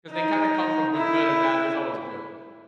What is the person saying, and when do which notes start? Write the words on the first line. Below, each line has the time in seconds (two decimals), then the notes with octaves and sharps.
'Cause they kinda come from w good and bad. There's always good.
0.10 D#4
0.94 E4